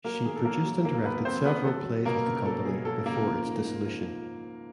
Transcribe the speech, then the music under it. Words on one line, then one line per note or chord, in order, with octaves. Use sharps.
She produced and directed several plays with the company before its dissolution.
F#3 A#3 A#4
D#3 G#4
A4
F#3 A#3 A#4
F#3
D#2 A#3 A#4
D#2 B3 B4
D#3 C4 C5
D#2 B3 B4
F#3 A4
F#3
B2 A#3 A#4
C#2
F#3 A4
B2 G#4
F#3 A4
C#2 A#3 A#4
F3
G#2
G#2
F3